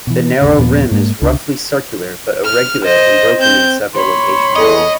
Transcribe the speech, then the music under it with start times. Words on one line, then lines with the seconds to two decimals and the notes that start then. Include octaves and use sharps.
The narrow rim is roughly circular but irregular and broken in several locations.
0.07 B2 E3
0.42 G#1 D#2 C#3
0.57 D#2 A#2 F3 B3
0.91 G#2 G#3 A#3
1.22 C#2 C3 D4
2.45 F6
2.84 C5 D#5
3.38 C4 G6
3.94 C#5 B5 C6
4.56 E2 A4 D#5